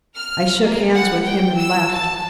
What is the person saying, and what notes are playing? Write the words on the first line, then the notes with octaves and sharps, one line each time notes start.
I shook hands with him and left.
F6
A#3
F#5
G5
E6
A5